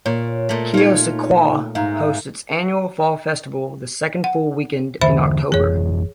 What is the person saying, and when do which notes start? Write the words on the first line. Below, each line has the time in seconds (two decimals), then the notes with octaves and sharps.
Keosauqua hosts its annual Fall Festival the second full weekend in October.
0.06 A#2 C#5
0.49 A#2 A3
0.74 D#4 F4 C#5
1.75 G#2 E5 F5 A#5
4.24 F#5
5.01 E2 D3 E3 C5 E5 B5
5.52 G#1 F2 E3 G#4 C#5